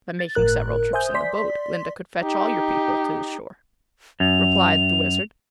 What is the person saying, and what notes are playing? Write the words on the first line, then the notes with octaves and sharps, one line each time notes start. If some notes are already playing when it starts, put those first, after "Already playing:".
"By making several trips in the boat, Glinda could fetch all your people to the shore," replied the Wizard.
A6
G1 A2 A#4 F#6
C5 E5 G#5 D#6 G6
D5 C6 B6
D#4 G4
F#2 F7